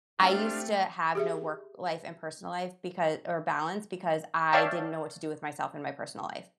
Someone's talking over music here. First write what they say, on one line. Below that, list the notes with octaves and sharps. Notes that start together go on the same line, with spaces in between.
I used to have no work life and personal life becau or balance because I didn't know what to do with myself in my personal life.
A3 C4 D4 G4 F5 G5 C6
G4 G#4 E5
C#5 D5 E5 F5 G5 A5